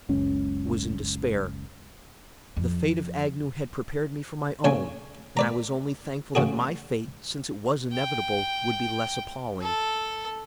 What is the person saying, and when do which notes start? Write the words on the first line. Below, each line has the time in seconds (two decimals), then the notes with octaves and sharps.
I was in despair. The fate of Agnew had prepared me for my own, and I was only thankful that my fate, since it was inevitable, would be less appalling.
0.09 F#1 C#2 C#4
2.56 F2
4.64 A#1 C#3 C#5 G#5
5.37 B4 D5 A#5
6.35 A1 C#3 F#4 G#4
7.93 G5
9.61 A4